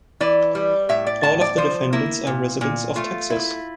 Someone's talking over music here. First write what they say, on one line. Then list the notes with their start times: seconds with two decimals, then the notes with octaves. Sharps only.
All of the defendants are residents of Texas.
0.20 E3 D5
0.55 G3
0.89 A2 E5
1.07 D5
1.23 A2 A5
1.41 D5
1.58 F3 C5
1.93 A#3 E4
2.27 A#2
2.61 A#2
2.96 A3 F4
3.30 E4